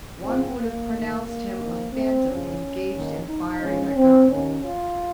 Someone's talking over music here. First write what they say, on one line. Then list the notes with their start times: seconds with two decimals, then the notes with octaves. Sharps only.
One would have pronounced him a phantom engaged in firing a gun.
0.23 G#2 F3 C4
0.57 A#3
0.90 D#2 D#3
1.24 A#3
1.58 F2 D#3
1.92 C4
2.26 F#2 C#3 F3 C#4
2.94 D#2 D#3
3.27 D#4
3.61 G#2 F3 C#4
3.95 C4
4.29 D#2 D#3 C#4
4.64 F4